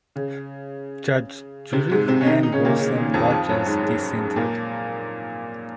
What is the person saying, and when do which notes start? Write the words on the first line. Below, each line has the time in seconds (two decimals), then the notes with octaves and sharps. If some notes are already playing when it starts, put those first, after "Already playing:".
Judge Judith Ann Wilson Rogers dissented.
0.16 C#3
1.73 C3 C4
1.91 G#2 G#3
2.08 C3 C4
2.21 C#4
2.26 D#3 D#4
2.43 D#4
2.52 C#3 C#4
2.65 A#2 A#3
2.79 C#3
2.95 D#3
3.13 F2 F3
3.30 F2 F3
3.49 F#2 F#3
3.65 G#2 G#3
3.83 G#2 G#3
4.36 A#2 A#3